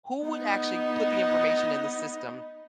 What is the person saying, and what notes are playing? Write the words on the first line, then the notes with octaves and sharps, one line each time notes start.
Who would actually put the information in the system,
B3 D#4